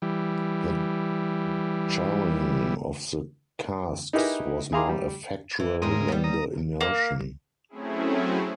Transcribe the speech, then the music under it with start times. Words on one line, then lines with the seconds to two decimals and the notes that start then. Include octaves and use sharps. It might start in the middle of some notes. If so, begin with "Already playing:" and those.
The charring of the casks was more effectual than the immersion.
0.02 E3 G3
4.13 D#4 E4 G4 G#4 A#4 B4
4.72 E4 G#4 F5 A#5 C6 D6
4.89 G3
5.60 E3
5.82 D2 G#2 G#3 C4 A#4 D#6
6.08 G3 B3
6.24 A#5 D#6
6.81 A#3
7.69 F#3 A3 C4 C#4 E4 G#4